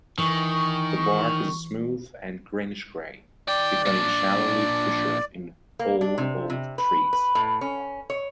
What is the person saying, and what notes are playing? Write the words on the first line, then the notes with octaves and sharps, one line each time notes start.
The bark is smooth and greenish-grey, becoming shallowly fissured in all old trees.
D#3 E3 C#6
D#3 D5 G5
A#2 D4
A#3
D4
C3
C3
B4
B4
A2
C#4
C#5